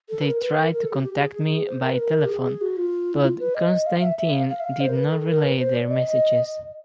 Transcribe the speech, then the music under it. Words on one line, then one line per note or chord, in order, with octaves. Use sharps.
They tried to contact me by telephone but Constantin did not relay their messages.
A4
B4
A#4
B4
A#4
A#4
A4
G4
G4
G4
G#4
C5
A#4
B4
A#4
G4
G#4
G#4
F#4
F4
E4
F4
B4
D#5
F5
E5
E5
F5
F5
E5
F5
C5
A#4
B4
A4
A#4
B4
C5
D5
D#5
D#5